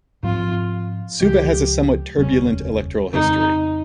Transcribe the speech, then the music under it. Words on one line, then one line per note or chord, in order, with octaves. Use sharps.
Suva has had a somewhat turbulent electoral history.
G#2 F3 C4 F4
C#2 C#3 F3 G#3 G4
F1 D#2 C#3 G3 C#4
F2 C#3 G#3 C4 D#4